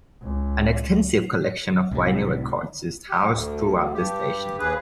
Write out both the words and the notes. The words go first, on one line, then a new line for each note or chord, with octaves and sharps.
An extensive collection of vinyl records is housed throughout the station.
C#2
C2 A2 C3
G4
D2
G2 G4
D#2 G#4 B4